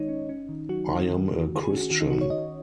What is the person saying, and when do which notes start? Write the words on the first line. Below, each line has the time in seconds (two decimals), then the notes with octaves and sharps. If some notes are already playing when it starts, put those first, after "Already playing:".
I am a christian.
Already playing: D#3 G#3 D#4 C#5 D#5
0.09 C#4
0.29 C#4
0.49 D#3
0.69 F#3 F#4
0.89 F#3
1.09 D#3
1.30 D#3
1.49 D#3
1.63 G#4
1.70 C#4
1.77 F#4
1.90 D#3 F#4
2.00 D#4
2.10 D#3 F#4
2.21 C#5
2.30 D#3 D#5